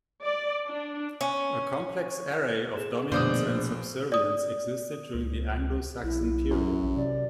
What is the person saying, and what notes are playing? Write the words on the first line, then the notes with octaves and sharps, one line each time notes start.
A complex array of dominance and subservience existed during the Anglo-Saxon period.
D5
D4
C#4
G#4 E7
A#1 B2 A3 D4 C5 D5 D#6
D5 D#6
C#2
B1 E4
F#2
A#1
C3 D5